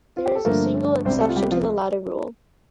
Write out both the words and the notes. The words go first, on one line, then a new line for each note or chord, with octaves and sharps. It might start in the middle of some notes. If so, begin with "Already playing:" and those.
There is a single exception to the latter rule.
F4
G4
A4
G2 D3 F3 A3 A#3 A#4
C2 C3 G3 C4 C5
A3 A4
F4
G3 G4
F3 F4